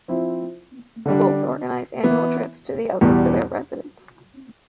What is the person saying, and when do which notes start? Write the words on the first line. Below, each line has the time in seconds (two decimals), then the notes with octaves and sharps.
Both organise annual trips to the other for their residents.
0.08 F3 C4 E4
1.06 D3 G3 D4
2.04 E3 B3 E4
3.01 E2 B2 G3